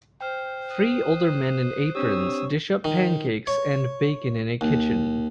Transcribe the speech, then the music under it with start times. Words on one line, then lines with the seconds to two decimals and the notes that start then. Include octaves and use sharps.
Three older men in aprons dish up pancakes and bacon in a kitchen.
0.21 C5 G5 F6
0.70 D#6 F#6
1.95 C4 D4 G4 C#5 D#6 E6
2.84 D#3
3.47 C#5
4.61 D#2